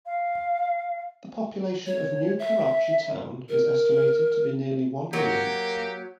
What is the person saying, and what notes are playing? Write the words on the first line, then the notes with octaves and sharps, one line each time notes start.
The population of New Karachi Town is estimated to be nearly one million.
F5
C#5
E5
A#4
F#3 A#3 G4